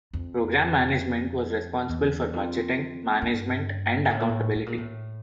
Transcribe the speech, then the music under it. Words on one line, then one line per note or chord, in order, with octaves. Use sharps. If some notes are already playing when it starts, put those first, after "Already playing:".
Program Management was responsible for budgeting, management and accountability.
F2
E2
F2
G2
A2
A#2
A2
A2
A#2
A2